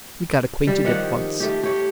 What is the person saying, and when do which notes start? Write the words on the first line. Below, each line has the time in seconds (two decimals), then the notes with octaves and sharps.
We got acquainted at once.
0.67 G3
0.84 D#3 F3 G4 F#5
1.40 A3 G4
1.63 G4 C#5